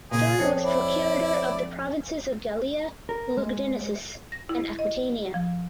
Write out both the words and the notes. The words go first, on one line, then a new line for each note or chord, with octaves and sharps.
Third was procurator of the provinces of Gallia Lugdunensis and Aquitania.
A#2 C#3 G#4
F2 C5 C#5
E4 D5
A#4
G#3
A#6
E4
D#5
F3